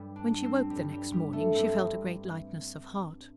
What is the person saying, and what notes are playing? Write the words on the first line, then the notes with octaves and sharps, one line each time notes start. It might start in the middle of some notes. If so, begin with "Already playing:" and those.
When she woke the next morning she felt a great lightness of heart.
Already playing: G2 G3
D4
C4
G3
G2
G3
G3
A3
G2 G3 C4